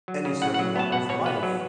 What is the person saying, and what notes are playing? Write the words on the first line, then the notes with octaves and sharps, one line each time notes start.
any certain walk of life
F#3
C#3
A2 F#5
F#5
F#3
B3 A5
B2 F#5
B2 C#5
B3 B4
F#3